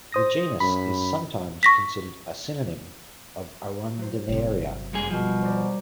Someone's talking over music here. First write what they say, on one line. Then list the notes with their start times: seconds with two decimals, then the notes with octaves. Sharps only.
The genus is sometimes considered a synonym of "Arundinaria".
0.12 C5 D#6 A#6
0.60 F#2 B5
1.63 C#6 A#6 B6
3.98 F#3 C5
4.29 G1 C3
4.93 F#2 G3 G#3 A#3 G#4
5.10 B2 F3
5.42 C5 D5 A#5